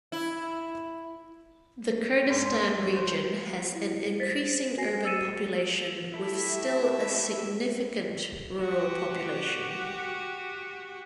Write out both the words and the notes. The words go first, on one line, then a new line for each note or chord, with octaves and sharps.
The Kurdistan Region has an increasing urban population with still a significant rural population.
E4
G#2
C6
F#3
C5
E4
C5 A6 B6
F#4 C5 G#5 A#6 C7
E6 A6 C#7 D#7 E7
A3 E4 G4 E5
F#4 G4